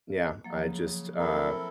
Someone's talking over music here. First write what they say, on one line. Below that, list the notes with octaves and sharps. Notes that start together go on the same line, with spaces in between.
yeah, I just, um
F3 F#3 A#3
C#3
C4 E4 A4 A#4